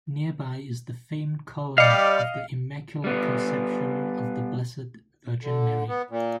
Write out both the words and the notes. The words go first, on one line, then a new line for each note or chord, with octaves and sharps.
Nearby is the famed Column of the Immaculate Conception of the Blessed Virgin Mary.
G3 D5 D#5 F5 C#7
G3 B3
D3
B3
A#2